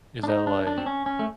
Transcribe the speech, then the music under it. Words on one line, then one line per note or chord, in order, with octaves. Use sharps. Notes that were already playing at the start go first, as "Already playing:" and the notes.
Is that, like,
D4
D#4
D4
D4
C4
C#4
C#4
A3